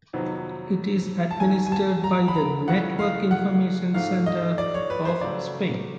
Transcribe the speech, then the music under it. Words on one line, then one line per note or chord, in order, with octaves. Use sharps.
It is administered by the Network Information Centre of Spain.
F2 C3 D#3 F#3 B3
A5
F#2 D#3 F#3 G#5
G#5
A5
A#5
B5
A#5
F2 C#3 E3 A3 F#5
F5
F#5
G#2 F3 A3 F5
D#5
D5
C#5
B4
C5
C#3 F#3 A3 D5